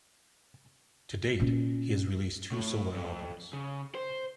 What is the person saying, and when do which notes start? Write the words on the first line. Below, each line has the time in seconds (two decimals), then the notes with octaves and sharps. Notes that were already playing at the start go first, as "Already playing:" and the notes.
To date, he has released two solo albums.
1.40 A#2 C#4
2.52 A2
2.94 F2
3.53 C#3
3.95 C5